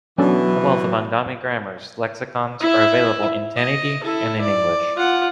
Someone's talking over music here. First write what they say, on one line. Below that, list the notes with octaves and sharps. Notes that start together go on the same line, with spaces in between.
A wealth of Angami grammars, lexicons are available in Tenyidie and in English.
B2 E3 F#3 B3 C#4 D4 F#4 A4
E4 E5
D#5
E4 A4
D5
F4 F#5